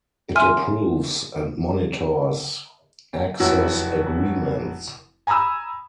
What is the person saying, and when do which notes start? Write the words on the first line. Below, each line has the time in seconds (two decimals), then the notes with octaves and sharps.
It approves and monitors 'access agreements'.
0.35 E5 G#5 C6 F6 D#7
3.40 F1 F#3 E4 F#4
5.27 G#5 A#5 B5 D#6 E6